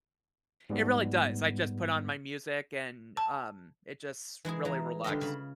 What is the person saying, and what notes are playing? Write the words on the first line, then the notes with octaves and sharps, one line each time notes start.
It really does. I just put on my music and, um, it just really relax
G#2 G3 B3
A5
E3 G#3 E4 G#4
E3 A#5
D3 G3 F4 D#5
C#3 B5